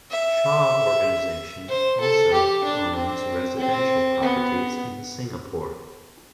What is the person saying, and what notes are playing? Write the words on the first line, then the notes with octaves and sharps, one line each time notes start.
Shaw Organisation also owns residential properties in Singapore.
E5
C5
A4
G4
D4
C4
C4
B3